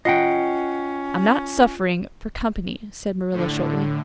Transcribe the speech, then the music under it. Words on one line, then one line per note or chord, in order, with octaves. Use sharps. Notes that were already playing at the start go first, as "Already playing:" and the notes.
"I'm not suffering for company," said Marilla shortly.
C#4 F4 D#5 F#5 G5 C7
A2 D3